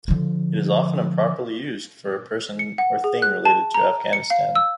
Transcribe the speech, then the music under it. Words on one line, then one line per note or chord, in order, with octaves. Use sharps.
It is often improperly used for a person or thing related to Afghanistan.
D3 F3
C#7
F#5
G#4
F#6
A5
A#5
C#7
F5
E6